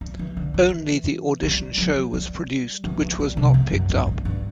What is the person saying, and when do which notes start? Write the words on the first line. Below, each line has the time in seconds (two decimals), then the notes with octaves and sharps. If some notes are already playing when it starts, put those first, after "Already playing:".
Only the audition show was produced which was not picked up.
0.01 G3
0.19 E3
0.37 D3
0.54 E3
1.43 G3
1.78 F#3
2.13 G3
2.84 E3
3.01 E3
3.19 G3
3.37 C3
3.54 E2
3.72 F#2
3.90 G2
4.07 A2
4.25 G2